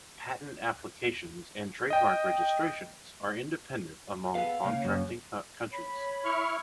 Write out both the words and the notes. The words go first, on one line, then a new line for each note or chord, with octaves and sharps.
Patent applications and trademark registrations are independent among contracting countries.
D#5 G5
B3 G#4 A4 F5
C#3 A#3 C#4
F#2
C#5 B5
E4 C#6 F6